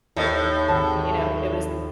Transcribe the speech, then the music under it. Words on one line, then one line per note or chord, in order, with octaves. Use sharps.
you know, it was
D#2 A2 A4 C5 C#5 D#5
G#1 C4 F#5 A5